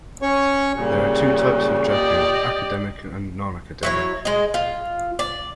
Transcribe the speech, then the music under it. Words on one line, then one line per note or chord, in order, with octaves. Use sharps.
There are two types of juku, academic and nonacademic.
C#4 C#5 C#6
A#2 C#3 G3
G4 D5 D#5
F#3 E4 C#5
G#3 D#5
F4
D5